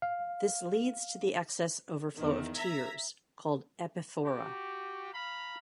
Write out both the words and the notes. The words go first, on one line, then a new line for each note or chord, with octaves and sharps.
This leads to the excess overflow of tears called "epiphora".
F5
E2 D#3
E5 A#5 G#6 B6
F#4 G4
F5 A#5 B5